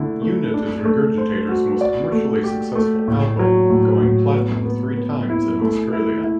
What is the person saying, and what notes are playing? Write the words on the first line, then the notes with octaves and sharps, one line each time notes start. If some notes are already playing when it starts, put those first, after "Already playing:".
"Unit" is Regurgitator's most commercially successful album, going platinum three times in Australia.
Already playing: D3 A3 E4
A3
D4
A3
C5
F#4
D5
A3
G4
A3
A2
F#3
A2
A2
B3
B3
B3
E4
A3
E4
E4